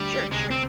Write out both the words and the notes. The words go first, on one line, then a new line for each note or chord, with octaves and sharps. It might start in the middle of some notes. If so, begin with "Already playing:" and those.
Sure sure.
Already playing: D2 D3 G3
C2 C3 G#3
C4